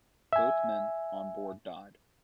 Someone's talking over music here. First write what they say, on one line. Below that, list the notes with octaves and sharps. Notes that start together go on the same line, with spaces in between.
Both men on board died.
E5 G#5